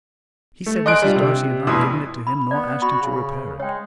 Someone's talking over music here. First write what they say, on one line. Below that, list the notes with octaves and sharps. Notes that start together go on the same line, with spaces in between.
He said Mrs. Darcy had not given it to him, nor asked him to repair it.
A3
D#5 G#5 C6 F#6 D7
G3 D4 F4
C3
F1 B2 E4 C6 D#6
B5
B3 D5
F#4 B5
C#3
G#3 C#5 G5